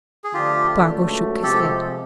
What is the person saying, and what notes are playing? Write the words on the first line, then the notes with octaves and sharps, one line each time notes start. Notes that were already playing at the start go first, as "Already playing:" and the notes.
Spargo shook his head.
G#4
D3 F3 A3 D4 F4 G4
C#2 B2 F#3 A3
C3 F3 G#3 G4 A4